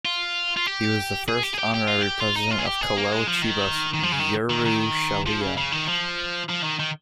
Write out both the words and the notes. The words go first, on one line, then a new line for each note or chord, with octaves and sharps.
He was the first Honorary President of Kolel Chibas Yerushalayim.
F4
F4
G4
G#4
G4
G#4
G4
G4
F4
G4
F4
D#4
F4
G#4
G4
G#4
A#3
G#3
F3
D#3
D#3
F3
C#3
D#3
D#3
D#3
F3
C#3
C#3
D#3
F3
F3
D#3
D#3